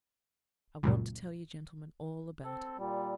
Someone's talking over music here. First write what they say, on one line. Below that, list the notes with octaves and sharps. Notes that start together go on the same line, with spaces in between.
"I want to tell you gentlemen all about it."
C#2 F#2 A#2
C4 A4
A#2 G3